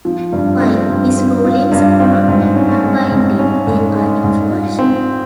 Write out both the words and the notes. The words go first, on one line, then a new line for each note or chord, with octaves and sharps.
While his rulings are nonbinding, they are influential.
F3
G2
C4
G2
C4
F4
G2
C4
G#2
C#4
G#3
G#2
C#4
G#2
G#3
G#2
F4
C4